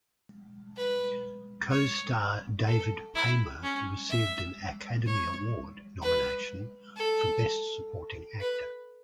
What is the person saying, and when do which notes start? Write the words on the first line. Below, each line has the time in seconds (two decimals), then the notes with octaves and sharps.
Co-star David Paymer received an Academy Award nomination for Best Supporting Actor.
0.76 B4
1.71 C#5
2.67 A4
3.15 E4
3.63 C#4
4.10 E5
5.06 C#5
6.02 B4
6.97 A4
8.41 B4